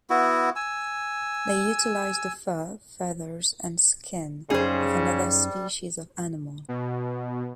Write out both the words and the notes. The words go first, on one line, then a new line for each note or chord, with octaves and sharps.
They utilize the fur, feathers, and skin of another species of animal.
B3 E4 F#4
G#5 E6
F#2 C#3 G3 C#4 D#4 G#4 C5
B2